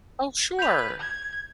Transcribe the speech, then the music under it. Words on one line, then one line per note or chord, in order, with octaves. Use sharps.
Oh, sure.
B4 G6 F7
G#6